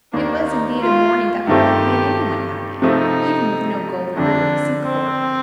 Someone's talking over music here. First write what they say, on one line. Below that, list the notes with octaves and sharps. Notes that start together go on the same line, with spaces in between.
It was, indeed, a morning that might have made anyone happy, even with no Golden River to seek for.
D#2 D#3 A#3 D4
D#4
F4
G2 D#3 A3 C4 G4
C3 F3 A3 D#4
F2 D3 A3 D4
C4